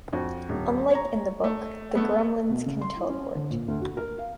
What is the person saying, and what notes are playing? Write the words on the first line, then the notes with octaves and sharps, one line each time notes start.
Unlike in the book, the Gremlins can teleport.
F2 F#4
D#1
C#5 A#5
A3
A3 B3
B2
C#3
C6
E4
C#4
D3
A#2
D2
F#4
A#4
F5